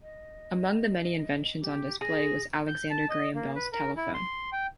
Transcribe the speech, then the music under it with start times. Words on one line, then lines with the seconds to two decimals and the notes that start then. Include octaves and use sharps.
Among the many inventions on display was Alexander Graham Bell's telephone.
0.01 D#5
1.60 G4
2.01 G#4 A#6
2.68 G6
2.90 A5
3.09 D#5
3.35 A#3
3.56 B4
3.73 A#4
3.97 E4
4.14 C6
4.52 G5